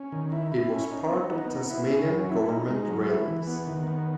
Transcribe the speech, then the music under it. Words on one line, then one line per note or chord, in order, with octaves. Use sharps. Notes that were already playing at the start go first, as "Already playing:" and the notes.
It was part of Tasmanian Government Railways.
Already playing: C#4
D#3
E4
E4
C#4
D#4
B3
D#4
B3
E4
C#4
F#3
E4
D#4
G#3
F#3
E4
E3
B3
D#3
B3